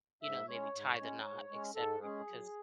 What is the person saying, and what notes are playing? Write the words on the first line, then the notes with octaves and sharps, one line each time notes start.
you know, maybe tie the knot, etcetera, because
G#2 E5
G#3 C#4 C#5
G#2
G#3 C#4
G#2
G#3 C#4
G#2 A4
G#3 C#4 G#4
F#2